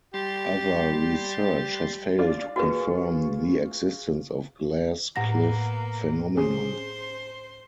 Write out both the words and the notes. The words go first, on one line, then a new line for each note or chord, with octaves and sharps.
Other research has failed to confirm the existence of glass cliff phenomenon.
G3 G4 C6 A6
D4 F4 D5
F4 F#4 G#4 B4 C#6
A2 A#3 B3 F#5 A#6
C#4 G#4 C5 C6